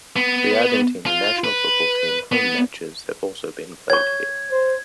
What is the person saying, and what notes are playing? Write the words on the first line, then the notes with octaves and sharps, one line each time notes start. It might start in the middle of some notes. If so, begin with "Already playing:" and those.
The Argentina national football team home matches have also been played here.
B3
F4
B4
B3
C#5 C#6 G#6
C5